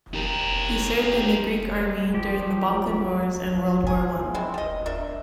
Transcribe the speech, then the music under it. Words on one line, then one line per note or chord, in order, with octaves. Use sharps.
He served in the Greek army during the Balkan Wars and World War One.
G4 A#4
F3 G4
G#4
G#3 C4 E4
F3 D#5
D4 A#4 E5